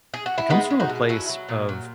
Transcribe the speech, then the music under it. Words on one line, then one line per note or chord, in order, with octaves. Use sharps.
it comes from a place of
G#4
F#4
E4
G#3 B3 D#4
G#3
D#4 F#4
B2
F#3 C#4 E4
F#3
A#2
F#3